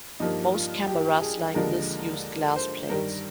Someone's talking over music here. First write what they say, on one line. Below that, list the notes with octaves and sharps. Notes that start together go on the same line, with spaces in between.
Most cameras like this used glass plates.
G2 F3 A#3 D#4
F4
G4
G#4
D#2 D3 F3 G#3 A#4
C5
G2 D#3 G3 A#4